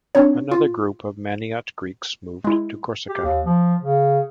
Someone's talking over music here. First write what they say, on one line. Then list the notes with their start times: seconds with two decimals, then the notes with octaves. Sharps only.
Another group of Maniot Greeks moved to Corsica.
0.15 C4 D4 D#4 C#5
0.51 F4
2.44 G#3 E4
3.09 G4
3.24 D#2
3.46 F3
3.82 C#3